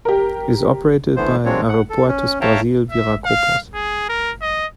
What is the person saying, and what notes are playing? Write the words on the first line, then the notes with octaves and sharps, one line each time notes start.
It is operated by Aeroportos Brasil Viracopos.
G4 A#4
D3 E3 A3 B3 C5
F#3 G#3 A#3 C4 D4 C#5
F#5
A4
C#4
C#5 E5 F5 G5 A5 A#5
E5
F5
G#4
A#4
D#5